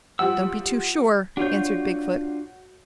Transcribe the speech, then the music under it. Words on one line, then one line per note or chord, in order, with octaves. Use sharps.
"Don't be too sure," answered Big-foot.
F3 G3 F#5 E6
D4 F4 F#4 C#5 G6